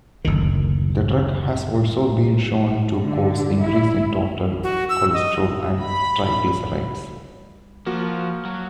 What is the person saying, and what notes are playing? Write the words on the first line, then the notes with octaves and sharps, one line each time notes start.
The drug has also been shown to cause increases in total cholesterol and triglycerides.
F#1 D2 D#3
D3
E4
F#4
E6
D#5
B5
F3 A#3 F#4
F#3